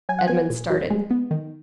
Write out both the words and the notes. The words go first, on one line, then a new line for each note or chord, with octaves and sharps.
Edmond started.
F#3 G#5
F#5
B3 G#5
A#2
F#3
G#3
B3
D#3